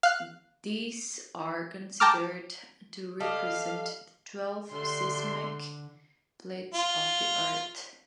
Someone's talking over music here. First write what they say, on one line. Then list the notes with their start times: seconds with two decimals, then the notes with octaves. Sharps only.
These are considered to represent the twelve seismic plates of the Earth.
0.03 F5 F#6
2.00 G5 A5 A#5 D6 F6
3.20 G3 A4 D#5 F5
4.72 D3 G3 A3 D4 C6
6.74 F4